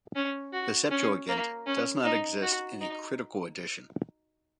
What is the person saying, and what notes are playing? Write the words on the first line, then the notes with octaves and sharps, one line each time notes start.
The Septuagint does not exist in a critical edition.
C#4
F#4
C#4
A#3
C#4
D#4
F#4
D#4